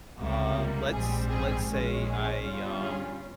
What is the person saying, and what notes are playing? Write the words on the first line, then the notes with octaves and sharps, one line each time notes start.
uh, let's let's say I, um
C#2 C3 G3 A#3
A#1 G#2 G3 C4 G#4
G#4
A#1 A#2 G#3 C#4
G#4
G1 G2 G3 C#4 F4
G#4